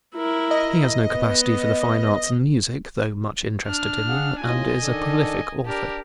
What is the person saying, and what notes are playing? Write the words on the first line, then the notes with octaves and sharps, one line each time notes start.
He has no capacity for the fine arts and music, though much interested in them, and is a prolific author.
E4 A#4
D#5
B3
D4 F6
G#4 F5 F#5
D#2 A2 F4 D#5 G#5
D#3 D4 A4
D4 G4 A#4 A5